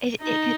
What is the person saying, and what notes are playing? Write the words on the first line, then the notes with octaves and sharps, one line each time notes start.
It it could
D#4